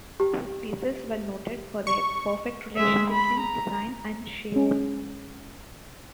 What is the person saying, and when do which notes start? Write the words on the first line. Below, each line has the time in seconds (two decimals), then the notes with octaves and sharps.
His pieces were noted for their perfect relation between design and shape.
0.20 G4
1.87 C#6
2.76 G#3 E5
3.11 B5
3.40 A#5
4.52 G#3 C#4